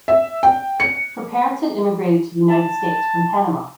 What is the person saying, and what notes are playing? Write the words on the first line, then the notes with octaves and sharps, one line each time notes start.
Her parents had immigrated to the United States from Panama.
E5
G5
C#7
A5